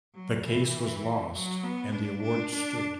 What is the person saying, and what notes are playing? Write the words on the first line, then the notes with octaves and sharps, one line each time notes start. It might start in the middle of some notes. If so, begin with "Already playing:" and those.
The case was lost and the award stood.
F#3
E3
F#3
B3
D4
D4
D4